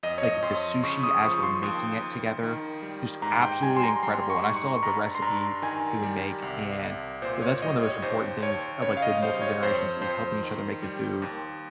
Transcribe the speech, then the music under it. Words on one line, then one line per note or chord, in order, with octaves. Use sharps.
like, the sushi as we're making it together. Just absolutely incredible, and I still have the recipe that we make, and, you know, that's one of the most important things of, like, the multiple generations is helping each other make the food
F2 D#5
C#5
D#5
F2 C6
C#3 C#6
D#6
F3 C#6
C6
D#2
D#2
D#3
G3
G#2 A#5
G5
G3 G#5
C6
A#5
G3 C6
C#6
G#2
C#6
G2 A#5
C6
G2 A#5
D#3 G#5
G3
C2
C2
A#2 C5
C#5
G3 D#5
C#5
D#2 C5
D#2 C#5
C#3 C#5
F5
D#5
G3 C5
C#5
F2 C5
F2 C5
D#3
G3
D#2